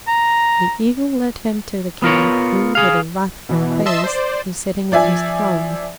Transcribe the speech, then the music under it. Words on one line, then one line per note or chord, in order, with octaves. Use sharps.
The Eagle led him to the King, who with a wrathful face was sitting on his throne.
A#5
B3 F4 A#4 C#5
G#4 F5
B2 E3
D#5 E5 A5 C6 E6
C5 D5
F3 D5 E5 G#5